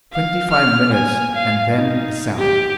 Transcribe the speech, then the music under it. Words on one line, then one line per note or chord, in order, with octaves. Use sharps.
Twenty-five minutes, and then a sound.
F5
F6
G#5
F5
D#4
G4